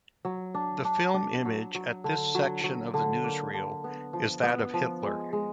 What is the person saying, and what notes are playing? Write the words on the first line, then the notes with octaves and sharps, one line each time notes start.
The film image at this section of the newsreel is that of Hitler.
F#3
D4
D4
D4
F#3
F#3
D3
F#3
F#3
D3
A#3
D3
B3
F3
B3
F3
G#3
G#3